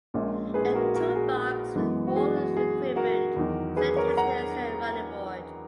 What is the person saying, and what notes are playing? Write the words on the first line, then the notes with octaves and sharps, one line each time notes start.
A toolbox with full equipment was attached to the exterior running board.
A#1 A#2 G#3 C#4
G#4 B4
G#4
F#4 A#4
F#4 A#4
G#4
F#4
F#2 E3 G#3 B3
F#4
G#4
F#4
G#4
F#4 A#4
E2 D#3 F#3
G#4 B4
A#4 C#5
F#5 A#5